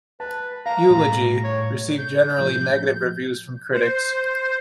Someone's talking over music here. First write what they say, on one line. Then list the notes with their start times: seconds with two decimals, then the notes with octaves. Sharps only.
"Eulogy" received generally negative reviews from critics.
0.20 B4 A5
0.66 F5 A#5
0.90 A2 G3
1.44 C#5
1.98 G6
2.38 A2 F3
3.74 C5